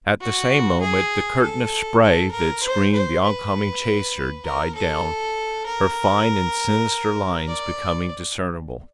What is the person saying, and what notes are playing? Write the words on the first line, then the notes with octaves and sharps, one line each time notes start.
At the same moment the curtain of spray that screened the on-coming chaser died down, her fine and sinister lines becoming discernible.
F#4
G#4
A4
A4
A#4
C5
C5
B4
A#4
A4
A#4
D5